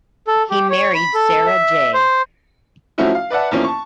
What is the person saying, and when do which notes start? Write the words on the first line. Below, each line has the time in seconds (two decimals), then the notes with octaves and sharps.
He married Sara J.
0.27 A4
0.50 G4
0.70 C#5
0.95 B5
1.14 A4
1.46 E5
1.94 C5
2.98 F3 F#3 A3 C#4 E4 F#4
3.15 F5
3.30 B4 D5 E5 F#5 A5
3.51 E2 F3 A#3 C#4 E4
3.64 A5 C#6